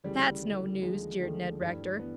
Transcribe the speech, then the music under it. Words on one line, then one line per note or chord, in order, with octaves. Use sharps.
"That's no news," jeered Ned Rector.
D2 C#3 E3 G3
D2 C#3 E3
D#2 D3 F3 G#3
D#2 D3 F3 A3
G2 E3
E3 B3